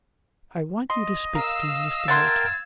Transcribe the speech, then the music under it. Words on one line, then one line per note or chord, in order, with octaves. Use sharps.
'I want you to speak to Mr. Moulton....
D#5 C6
A#4 F5 E6
A#4 E5 F#5 G5 A5 C6 G#6 A6